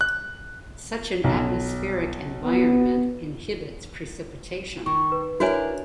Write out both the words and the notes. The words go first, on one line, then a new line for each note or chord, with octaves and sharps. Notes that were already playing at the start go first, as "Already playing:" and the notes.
Such an atmospheric environment inhibits precipitation.
F#6
B1
B3
D#3 C#6
B4
D4 E4 F#4 A#4 C#5 G#5